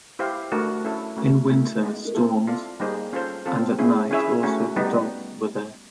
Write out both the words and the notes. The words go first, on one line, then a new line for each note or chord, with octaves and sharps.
In winter storms, and at night also the dogs were there.
E4 G4 C5 F5
A3 D4 F#4 A#4
C#4 E4 A4 C#5
A3 C#4 F#4
A3 C#4 E4
G#3 B3 D#4
C4 E4 A4
F4 A4 D5
G3 A#3 D#4 G#4 C5
C#4 F4 A4 C5
C4 F4 A4
C#4 E4 G#4
C#4 E4 G#4 C#5 E5
A3 C#4 F#4
G3 B3 D#4